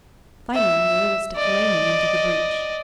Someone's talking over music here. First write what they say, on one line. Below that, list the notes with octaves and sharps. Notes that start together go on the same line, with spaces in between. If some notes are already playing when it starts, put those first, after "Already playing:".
Finally Marilla stepped lamely into the breach.
E5
D5 D#5